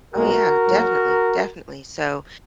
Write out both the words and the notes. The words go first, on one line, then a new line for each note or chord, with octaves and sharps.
Oh, yeah, definitely, definitely, so,
B1 A#2 G#3 B3 F#4 A#4
G#2 F#3 A#3